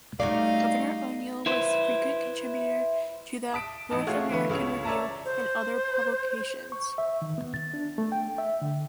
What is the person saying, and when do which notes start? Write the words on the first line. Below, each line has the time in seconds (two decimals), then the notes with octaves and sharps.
Governor O'Neal was a frequent contributor to "The North American Review" and other publications.
0.20 G3 A3 C#4 D#4 F#4 D5 F5
1.46 E4 B4 C5
3.53 A5 D#6 B6 D7
3.90 A1 D#4 A5
4.06 A3 F4 F#4 G#4 C#5 F5
4.29 D3 E3 A3 B4
4.50 C#2 C#3 C#5 F7
4.85 C#5 D5 E5 A5 A#5
5.25 C5
6.72 C#6
6.98 E5
7.22 D#3
7.38 B3
7.54 A6
7.74 D4
7.98 A3
8.12 G5
8.38 E5
8.62 D3